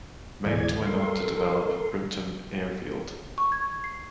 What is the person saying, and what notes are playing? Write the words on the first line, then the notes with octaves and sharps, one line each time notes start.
Mount went on to develop Brimpton Airfield.
D2 G#2 E3 G#4 D5 G#6
A4 A#4 C6
C#6
G#6
C7